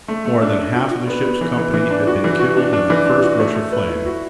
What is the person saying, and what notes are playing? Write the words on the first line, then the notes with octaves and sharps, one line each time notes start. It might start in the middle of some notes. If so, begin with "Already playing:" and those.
More than half the ship's company had been killed in that first rush of flame.
A3
A3
D4
D4
F#4
F#4
B3
B3
E3
E3
E3
D4
F#4
E3
F#4
D4
D4
E3
D4
F#4
A3
A3
B4
E4
F#4